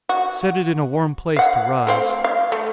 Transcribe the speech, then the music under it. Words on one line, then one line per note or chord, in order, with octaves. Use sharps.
Set it in a warm place to rise.
F#4
F5 F#5
A3 C4 F5
F5
A3